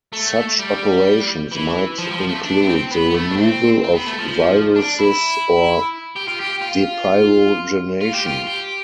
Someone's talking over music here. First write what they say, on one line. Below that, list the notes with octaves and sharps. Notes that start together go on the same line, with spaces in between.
Such operations might include the removal of viruses or depyrogenation.
A3
G3
E3
F3
G3
F3
A3
D4
B3
C4
B3
B3
A3
D4
C4
C4
B3
A3
F3
D4
E4
G4
F4
G4
F4
F4
G4
F4
G4